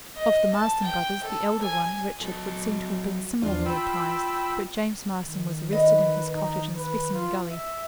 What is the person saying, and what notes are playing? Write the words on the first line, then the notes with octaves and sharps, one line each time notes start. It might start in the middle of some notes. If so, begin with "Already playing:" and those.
'Of the Marston brothers, the elder one, Richard, would seem to have been similarly apprised, but James Marston was arrested in his cottage in Specimen Gully.
D#5
A5
G5
A4
G#5
F#3 A4
E2 D4 F4
G5 B5 E6
D#3
B4 D#5
D#4
B4
F4
E5